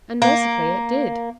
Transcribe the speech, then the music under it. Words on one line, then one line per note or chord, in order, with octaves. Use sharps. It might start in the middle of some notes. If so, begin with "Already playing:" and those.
And mercifully it did.
A#3